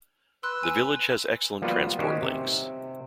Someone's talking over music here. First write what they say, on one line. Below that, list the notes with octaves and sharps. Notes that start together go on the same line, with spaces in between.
The village has excellent transport links.
B4 C6 E6 F#6
G#5
F3 G3 A#3 B3 F4 F#4
D#3 C#4 F#4 G4 C5
C3